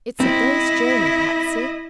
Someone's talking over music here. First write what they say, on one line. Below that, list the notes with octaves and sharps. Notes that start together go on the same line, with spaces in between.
"It's a day's journey, Patsy."
C4 E4 D#5